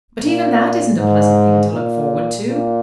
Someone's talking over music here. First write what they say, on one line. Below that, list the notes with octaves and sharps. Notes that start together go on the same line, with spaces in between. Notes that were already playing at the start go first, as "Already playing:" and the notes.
But even that isn't a pleasant thing to look forward to.
A#2
G#2
A#2
A#2